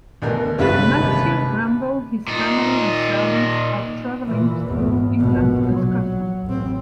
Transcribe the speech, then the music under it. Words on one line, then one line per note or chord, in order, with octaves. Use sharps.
Matthew Bramble, his family and servants are traveling through England and Scotland.
D2 B2 A#4
G1 C3 G#3 C#4 B4 E5 F5 A6
D#2
A#2 D#4
A#2 E3
G#1 E2
A#1 B2
F#3
A1 C4